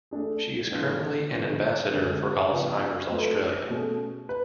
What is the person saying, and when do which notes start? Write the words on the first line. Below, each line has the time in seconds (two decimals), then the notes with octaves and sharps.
She is currently an ambassador for Alzheimer's Australia.
0.11 A3 D4 G#4
0.70 A2 F3 B3 D4 F4
1.30 D3 F3 B3
1.90 D3 G#3 C#4 G#4 B4
2.51 C#3 F3 B3
3.10 F#3 A3 F4 B4
3.70 B2 A3 C#4 G#4
4.29 B4